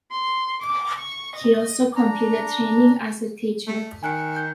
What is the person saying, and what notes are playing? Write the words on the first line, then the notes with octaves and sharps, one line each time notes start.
He also completed training as a teacher.
C6
D6
C#6
D#5
D4 A#5
A3
D#3 G#5 F#6 C#7
G6